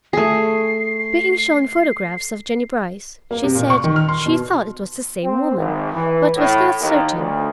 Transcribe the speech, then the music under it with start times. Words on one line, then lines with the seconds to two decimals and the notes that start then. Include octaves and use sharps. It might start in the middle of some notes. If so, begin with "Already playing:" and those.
Being shown photographs of Jennie Brice, she said she thought it was the same woman, but was not certain.
0.13 A3 G#4 C7
3.31 A#3
3.43 C3
3.55 A#2
3.70 C#6
3.84 D#3
3.96 F6
4.08 C6
4.26 B2
5.24 C4
5.56 G#1
5.93 E3
6.36 A2
6.81 D#2
7.16 D2